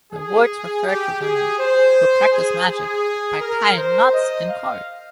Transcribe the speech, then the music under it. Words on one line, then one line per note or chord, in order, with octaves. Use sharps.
The words refer to women who practice magic by tying knots in cords.
G#4
G4
G#4
C5
G#4
G#4
A#4
C5
D#5
F5